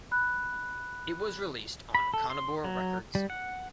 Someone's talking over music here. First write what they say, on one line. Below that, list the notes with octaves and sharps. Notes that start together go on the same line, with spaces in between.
It was released on Conabor Records.
B5 F#6
B5
A4
C6
F#3
G3
F#5